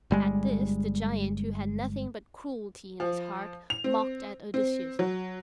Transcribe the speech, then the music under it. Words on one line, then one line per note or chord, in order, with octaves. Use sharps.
At this the giant, who had nothing but cruelty in his heart, mocked at Odysseus.
G1 G3 G#3
F3
F7
C4
C4
F#3